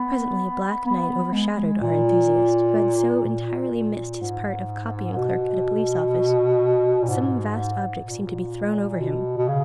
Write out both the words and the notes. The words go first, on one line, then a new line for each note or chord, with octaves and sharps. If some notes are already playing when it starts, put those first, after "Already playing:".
Presently black night overshadowed our enthusiast, who had so entirely missed his part of copying-clerk at a police-office; some vast object seemed to be thrown over him.
Already playing: B3
B3
G#3
A#2
A#2
G#2
B2
A#2
G#2
A#2
B2
B2
C#3